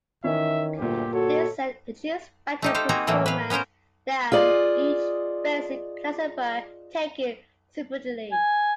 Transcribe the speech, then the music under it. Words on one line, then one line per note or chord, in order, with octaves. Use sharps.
This set achieves better performance than each basic classifier taken separately.
D#3 E3 C#4 E5
G1 D2 A#2 G4
F#4 A4 C#5
A3 D#4 G4
G4 A4 C5 F5
A#3 C4 D#4 F#4 G#4 A#5
A2 E3 F#3 A3 A#3
B4 F5
B3 C#4 F4 A#4 C5
F4 G#4 D5 D#5
G#5